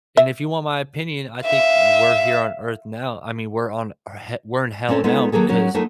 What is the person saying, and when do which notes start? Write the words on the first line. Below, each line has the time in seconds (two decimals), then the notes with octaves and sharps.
And if you want my opinion, I think we're here on earth now. I mean, we're on he we're in hell now because
0.17 E5
1.46 E5 F5
4.89 A3 C4 C#4 A4 D5
5.04 G#3 B3 C#4 D#4 F4 A4
5.32 D#3 F#3 A#3 G#4 A4
5.49 F#3 G#3 C#4 F#4 A#4
5.74 F#3 A3 A#3 D#4 F4